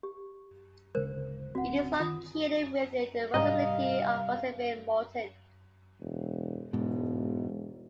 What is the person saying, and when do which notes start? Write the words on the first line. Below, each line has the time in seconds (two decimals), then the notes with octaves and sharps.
It is located within the Municipality of Boissevain - Morton.
0.03 G4
0.95 D1 C#3 G#3 A#4 C5
1.55 D1 C4 F#4 F#5
2.00 D#3 F4 D#6
3.34 C2 G#2 G3 D#5 F5 A#5
6.00 E1
6.73 E1 G#2 B2